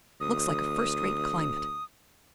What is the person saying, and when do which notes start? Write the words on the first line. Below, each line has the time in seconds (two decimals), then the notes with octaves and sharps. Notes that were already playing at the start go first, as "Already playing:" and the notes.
Looks like a first-rate climate.
0.20 D2 D#6